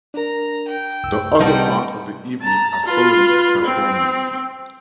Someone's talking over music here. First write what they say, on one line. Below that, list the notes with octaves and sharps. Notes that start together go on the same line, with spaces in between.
The other part of the evening are soloist performances.
D4 A#4 A#5
G5
C2 F#2 E6
C3 G3 D#4 B4 D#5 F#5 G5 A5
A5 A#5
F4 B4
C4